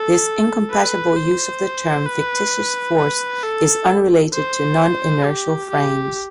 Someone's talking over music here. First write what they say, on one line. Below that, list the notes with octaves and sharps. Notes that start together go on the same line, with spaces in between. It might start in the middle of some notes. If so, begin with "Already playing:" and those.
This incompatible use of the term "fictitious force" is unrelated to non-inertial frames.
Already playing: A4
B4
C5
B4
B4
A4
C5
G4
G4